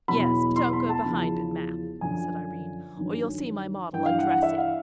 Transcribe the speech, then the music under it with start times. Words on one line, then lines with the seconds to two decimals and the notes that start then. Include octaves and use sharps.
"Yes, but don't go behind it, Mapp," said Irene, "or you'll see my model undressing."
0.08 E2 B2 F#3 B5
0.56 C6
0.73 B5
0.89 A5
1.05 E2 C#3 F3
2.01 F#2 D3 F3 G#5
2.97 G2 D#3 F#3
3.93 G2 E3 G5
4.06 F5
4.18 F#5
4.30 F#5
4.43 E5
4.58 F5